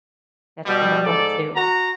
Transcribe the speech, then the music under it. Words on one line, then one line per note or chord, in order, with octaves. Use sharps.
detrimental to
B2 G3
G#2 A4 D5
F#4 A#5